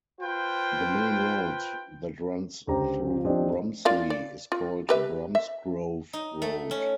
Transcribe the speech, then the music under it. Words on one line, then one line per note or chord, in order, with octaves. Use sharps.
The main road that runs through Romsley is called Bromsgrove Road.
F4 B4 C5 G5
C#2 D3 G4 C5 A#5
F3 C4 D4 G4 C5 D#5
F4 D5 F5
D5
F4
G4 B4 E5
E5
D#4
A3
C#4